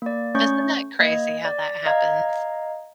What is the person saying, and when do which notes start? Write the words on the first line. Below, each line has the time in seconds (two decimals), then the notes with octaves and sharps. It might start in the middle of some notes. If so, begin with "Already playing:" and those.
Isn't that crazy how that happens?
0.02 A#3 D5
0.35 A3 C#4 C#5 C#6 G6
1.00 A#3 D#5 G#6
1.45 D5
1.86 D#5 F5 A#5 G#6